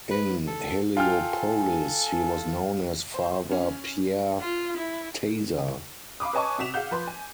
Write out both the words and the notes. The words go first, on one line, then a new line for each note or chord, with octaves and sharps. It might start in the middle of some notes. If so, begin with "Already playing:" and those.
In Heliopolis he was known as Father Pierre Taza.
B4
A4
F4 A4 G5 G#5 F6
C5
C#4
F4
E4
F5 B5 D6 D#6
B4 C#5 D#5 G#5 A5 C#6
C3 F#4 B6 E7 F7
G#4 F5 F#5 G6
F3 B4 C6
G#5